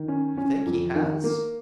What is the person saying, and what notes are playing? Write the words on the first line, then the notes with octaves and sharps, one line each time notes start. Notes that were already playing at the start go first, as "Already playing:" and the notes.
"You think he has?"
Already playing: D#3
C#4
C#4
F2
D#3
A#3